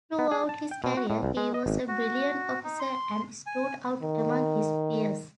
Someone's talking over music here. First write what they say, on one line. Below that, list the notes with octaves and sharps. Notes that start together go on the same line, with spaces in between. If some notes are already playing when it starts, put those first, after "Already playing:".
Throughout his career, he was a brilliant officer and stood out among his peers.
B3
G#4
A5
G5
B2
F#4
A2
C2
G#3
D#5
G#1
F#4
D#4
C6
G#5
D#3